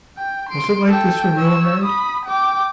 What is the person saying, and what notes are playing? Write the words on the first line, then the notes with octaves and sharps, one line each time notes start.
"Was it like this when you were married?"
G5
C6 D7
A4 G5
C#5 E6
B5 D#6
G5 D6